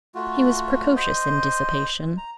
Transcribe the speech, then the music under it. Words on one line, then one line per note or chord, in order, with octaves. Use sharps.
He was precocious in dissipation.
A3 F4 F#4
C5 D#5
A#5